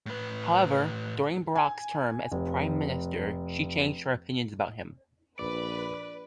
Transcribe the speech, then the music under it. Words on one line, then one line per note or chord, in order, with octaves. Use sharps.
However, during Barak's term as prime minister she changed her opinions about him.
A2 B4
G#5
F1
A#1 B4 D5